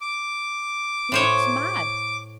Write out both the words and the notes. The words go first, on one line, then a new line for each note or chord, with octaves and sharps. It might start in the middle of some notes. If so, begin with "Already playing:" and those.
He looks mad.
D6
A2 C5 C#5